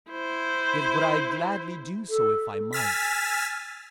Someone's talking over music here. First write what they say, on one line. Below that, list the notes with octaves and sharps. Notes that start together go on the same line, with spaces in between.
Yet would I gladly do so, if I might.
E4 C5
A4
G#5 E6 F6 A6 B6